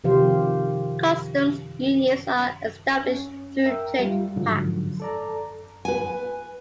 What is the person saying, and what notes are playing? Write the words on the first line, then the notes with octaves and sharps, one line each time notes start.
Customs unions are established through trade pacts.
C3 D#3 F3 G4 C5 F5
C#4
A#4 E5 G5
G3 F4
G#2 D3 F3 F#3
A4 D5 A#5
B4 G#5